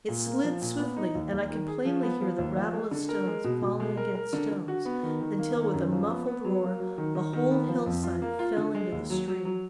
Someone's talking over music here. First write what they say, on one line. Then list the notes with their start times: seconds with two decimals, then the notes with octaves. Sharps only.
It slid swiftly, and I could plainly hear the rattle of stones falling against stones, until with a muffled roar the whole hillside fell into the stream.
0.08 A#2
0.26 A#3
0.44 F3
0.62 A#2
0.79 B3
0.96 D#4
1.15 D#2
1.32 D#2
1.50 D#3
1.68 G#4
1.85 F3
2.03 B3
2.20 F3
2.38 D#2
2.56 F3
2.74 G#3
2.91 D3
3.09 A#4
3.27 G#3
3.44 B2
3.62 B2
3.80 G#3
3.97 A#4
4.15 A#4
4.33 D3
4.51 D3
4.68 F#4
4.85 B3
5.03 D#3
5.21 D#3
5.39 A#3
5.57 D#3
5.74 F#2
5.92 F3
6.09 B3
6.27 B3
6.45 F#3
6.63 A#3
6.80 F#3
6.98 D#3
7.15 D#3
7.33 D#3
7.51 B3
7.68 F3
7.86 F2
8.03 F4
8.22 A#3
8.39 F4
8.57 D3
8.75 G#3
8.92 D#2
9.10 F#3
9.28 F#3
9.45 F#3